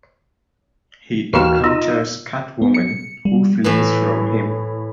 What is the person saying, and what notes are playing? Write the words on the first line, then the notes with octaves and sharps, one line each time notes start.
He encounters Catwoman, who flees from him.
D#2 E3 F#4 F6 E7
D#4 F4 D#5 E6
B3
C#7
G3
A2 E3